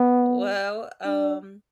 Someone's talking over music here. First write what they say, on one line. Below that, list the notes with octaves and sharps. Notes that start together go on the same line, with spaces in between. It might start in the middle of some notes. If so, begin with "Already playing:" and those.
Well, um
Already playing: B3
D4